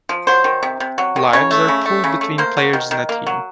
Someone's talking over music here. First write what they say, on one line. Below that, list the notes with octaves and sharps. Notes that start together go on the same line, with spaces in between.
Lives are pooled between players in a team.
F3
F#3 C5
D#3
C3
C3
F#3
D#3
C#3 C#5
A3
C#3
A3
C#3
A3
A#3 C5
F#3
D#3
D#3
A#3
F#3